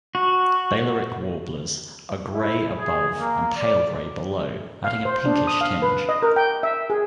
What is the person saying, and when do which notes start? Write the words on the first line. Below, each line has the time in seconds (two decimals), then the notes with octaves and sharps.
Balearic warblers are grey above and pale grey below, adding a pinkish tinge.
0.15 F#4
2.31 E4
2.78 G#4
3.17 A#3
3.57 D5
4.84 F5
5.05 C5
5.26 D4
5.47 D#6
5.61 F5
5.82 B4
6.09 D#5
6.23 A#4
6.36 G5
6.63 E5
6.90 G#4